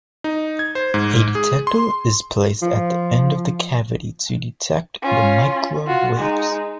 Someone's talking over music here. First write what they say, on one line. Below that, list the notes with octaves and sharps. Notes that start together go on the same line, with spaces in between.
A detector is placed at the end of the cavity to detect the microwaves.
D#4
G#6
C5
G#2
G#4
C6
F3
C#4 F4
F4 F#4
G#3 D#4